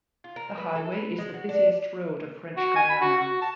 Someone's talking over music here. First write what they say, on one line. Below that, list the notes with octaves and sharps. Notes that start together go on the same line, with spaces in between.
The highway is the busiest road of French Guiana.
F4
A#4
B4
A4
B4
G#3
F#4
D4
F#4
G#5
B5
F#4
F#4
A5